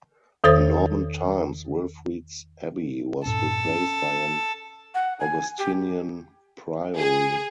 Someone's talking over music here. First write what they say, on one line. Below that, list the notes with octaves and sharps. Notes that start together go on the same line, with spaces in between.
In Norman times Wilfrid's abbey was replaced by an Augustinian priory.
E2 D#3 A4 C5 D#6 A6
G2 A#2 C#4 A4
C4 C#4
F#5
G#5
G4
G#4